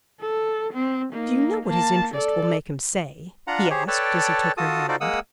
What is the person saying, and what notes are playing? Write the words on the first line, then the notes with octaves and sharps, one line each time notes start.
"Do you know what his interest will make him say?" he asked as he took her hand.
A4
C4
A#3 D#4
A#3 A5
A4 D5
D4 F4 F#5 A#5
G4 G#4 C5 C#5
A4 B4 C#5 D5 G5 A5
F4 F#4 A4 A5 D#6
D#4 F4 F#4 A4 C5 D5
G#3 A#3 F#5 D#6 E6